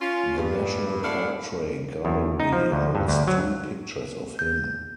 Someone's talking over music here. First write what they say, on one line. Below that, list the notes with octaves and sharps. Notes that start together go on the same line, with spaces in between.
The National Portrait Gallery holds two pictures of him.
C#4 F4
G2
F2 A3 D4 E4 F5 F#5
E2
D#4
F3
D2
G2
D2
F#3
G6